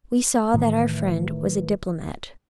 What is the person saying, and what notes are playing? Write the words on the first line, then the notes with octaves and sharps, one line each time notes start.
We saw that our friend was a diplomat.
A2 D#3 E3